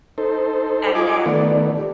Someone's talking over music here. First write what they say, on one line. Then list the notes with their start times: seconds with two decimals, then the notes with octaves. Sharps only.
And then
0.18 D#4 A4 C5
0.95 F4 D#5 G#5 D6
1.26 D#3 A3 B3 D5
1.77 G4